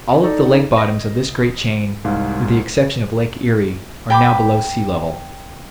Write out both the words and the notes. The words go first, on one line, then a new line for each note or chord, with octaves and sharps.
All of the lake bottoms of this great chain, with the exception of Lake Erie, are now below sea-level.
D#4 A4 D5
D#5 A#6
C2 G#2 F5
G5 B5 D6